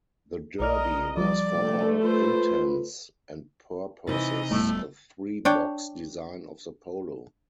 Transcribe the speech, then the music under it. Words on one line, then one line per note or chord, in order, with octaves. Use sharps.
The Derby was for all intents and purposes a three-box design of the Polo.
B1 A#4 D5 D#5 F6
F3 G3 D5
A#1 C3 A3
F4 B4 C5
C3 E3 D#4 D#5
D#1 A2 G3 A3 B3
D4 C#5 G5